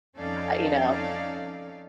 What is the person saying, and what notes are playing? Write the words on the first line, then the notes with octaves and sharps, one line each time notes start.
uh, you know.
F2 C#4 D#4 A4 D5 F5